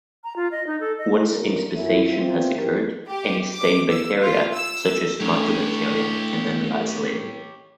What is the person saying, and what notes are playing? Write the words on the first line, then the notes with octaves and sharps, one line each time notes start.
Once inspissation has occurred., any stained bacteria, such as Mycobacteria, can then be isolated.
A#5
F4
D#5
D#4
A4
D#5
G2 F#3 D#4 A#4
F#2 E4
C4 E4 F4
F#2 D#3 E3 C4 G4 A#4
G4
D6
E6
F4
E6
A2 D4 G4 A4 C#5